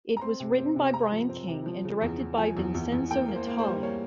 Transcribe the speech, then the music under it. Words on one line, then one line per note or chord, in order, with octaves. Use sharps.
It was written by Brian King and directed by Vincenzo Natali.
A#5
C4 C6
C3
C4
C3
C3 A#5
F3
C4
C3
F3
C#3
E2
E2
F3 G#5
E2
E2
E2
A#3 G5
A#3
C5
A#3
C5
G3
A#3 C#5